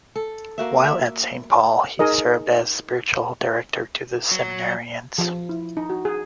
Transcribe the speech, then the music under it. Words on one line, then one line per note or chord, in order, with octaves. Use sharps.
While at Saint Paul, he served as spiritual director to the seminarians.
A4
A#3 F#4 E5
E5
D#4 G#4 A#4 D#5
F#3
F3
E4
D#4
F#4
G#4